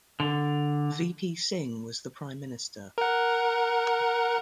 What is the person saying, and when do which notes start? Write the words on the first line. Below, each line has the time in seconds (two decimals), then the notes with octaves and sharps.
V. P. Singh was the Prime Minister.
0.20 D3
2.98 A#4 F#5